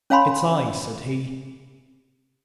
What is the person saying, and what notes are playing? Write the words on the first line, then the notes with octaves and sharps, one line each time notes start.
"It's I," said he.
C#4 C#5 F5 G#5 B5 C6